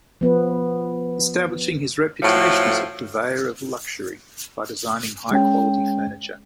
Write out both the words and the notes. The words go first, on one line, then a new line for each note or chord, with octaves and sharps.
Establishing his reputation as a purveyor of luxury by designing high-quality furniture.
F3 B3 B4
A2 F3 F#3 A3
G#3 C#4 G5